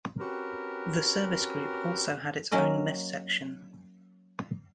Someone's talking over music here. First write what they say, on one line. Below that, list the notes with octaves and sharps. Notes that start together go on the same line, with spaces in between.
The service group also had its own mess section.
C4 C#4 F#4 G4 A#4 B4
F#3 A#3 C#4 A#4 D#5